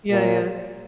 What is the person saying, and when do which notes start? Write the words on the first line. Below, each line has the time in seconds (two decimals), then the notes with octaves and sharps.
Yeah, yeah,
0.10 A#2